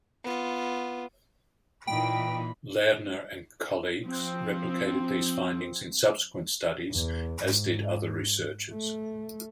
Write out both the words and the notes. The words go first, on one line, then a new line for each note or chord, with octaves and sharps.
Lerner and colleagues replicated these findings in subsequent studies, as did other researchers.
B3 F4
A#2 E3 D#4 G5 B5
F3 C4
E2
G#2
A3